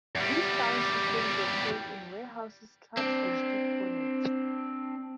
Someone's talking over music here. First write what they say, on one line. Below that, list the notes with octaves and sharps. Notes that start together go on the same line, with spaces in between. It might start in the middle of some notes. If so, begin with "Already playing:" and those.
These sound systems were played in warehouses, clubs, and street corners.
E2 G3
C4 D4